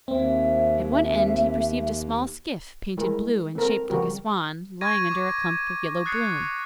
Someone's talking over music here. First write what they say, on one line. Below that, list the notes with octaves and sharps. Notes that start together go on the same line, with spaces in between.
At one end he perceived a small skiff, painted blue and shaped like a swan, lying under a clump of yellow broom.
D#2 C4 E5
G3 G#3 E4 A#4
C4 A4 A#4
C#3 F3 G3 F#4 G4 A#4
C#6 G#6 A#6 D#7
D6
D#6 F#6 A6 C7 C#7